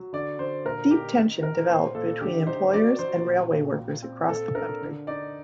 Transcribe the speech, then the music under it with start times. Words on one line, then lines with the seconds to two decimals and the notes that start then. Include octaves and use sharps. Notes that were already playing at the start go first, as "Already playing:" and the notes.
Deep tension developed between employers and railway workers across the country.
Already playing: F#3
0.13 D3 D5
0.39 D3 C5
0.65 A#2 A#4
0.91 D#4 G4
1.17 D#3
1.43 D#4 A#4
1.69 A#2 C5
1.95 A#2 A4
2.20 D3 G4
2.47 D#4 C5
2.73 F#3 D5
2.99 F#3 C5
3.25 A#2
3.51 A#2
3.77 A#2
4.02 C4
4.28 A#2 A4
4.55 D4 A#4
4.81 D3
5.07 D#4 D5